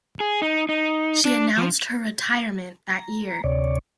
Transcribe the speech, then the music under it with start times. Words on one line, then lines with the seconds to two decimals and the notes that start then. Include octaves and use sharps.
She announced her retirement that year.
0.20 G#4
0.42 D#4
0.69 D#4
1.25 D4
1.58 F3
2.87 A#5
3.44 D2 C3 C#5 D5